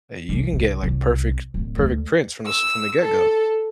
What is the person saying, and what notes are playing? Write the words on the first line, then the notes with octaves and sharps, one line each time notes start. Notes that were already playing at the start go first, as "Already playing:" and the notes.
eh, you can get, like, perfect perfect prints from this from the get go.
C2
C2
C2
D1
D2
E6
A4